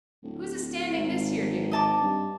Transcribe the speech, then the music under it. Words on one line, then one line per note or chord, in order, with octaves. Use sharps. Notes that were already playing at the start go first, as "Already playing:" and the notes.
Who's astanding this here do?
D1
G#1
D#5 A5 D6
G2